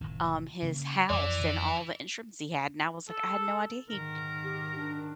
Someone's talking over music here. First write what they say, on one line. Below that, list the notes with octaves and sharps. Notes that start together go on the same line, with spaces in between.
um, his house and all the instruments he had and I was like, "I had no idea he
F1 A2 D#3
C#3 A#3 C#4
F2 E3 D5
A4
G#2 D#3 A#4
G4
D4